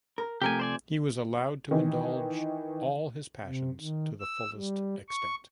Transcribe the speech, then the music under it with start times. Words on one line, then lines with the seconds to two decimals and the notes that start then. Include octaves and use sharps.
He was allowed to indulge all his passions to the fullest extent.
0.18 A#4
0.42 C3 F3 A3 G4 A#4 G#5
0.59 C5 D5 G#5
1.71 D#3 E3
3.44 C3
3.79 D#3
4.20 E6
4.55 G3
5.09 C#6